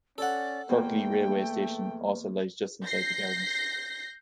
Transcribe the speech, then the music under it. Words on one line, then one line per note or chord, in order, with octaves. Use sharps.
Kirklee railway station also lies just inside the gardens.
C#4 A4 D5 F#5
E2 A3 A#3 G5
G6 A#6 C7